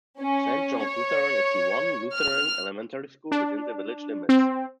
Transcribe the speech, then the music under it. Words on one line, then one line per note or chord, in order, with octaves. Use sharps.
Saint John's Lutheran is the one Lutheran elementary school within the village limits.
C#4
C#5
F6
D4
C4